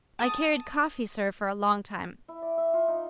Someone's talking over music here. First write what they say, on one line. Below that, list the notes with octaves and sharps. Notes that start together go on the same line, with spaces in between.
I carried coffee, Sir, for a long time.
A5 D#6
E4
D5
E5
F4
D#4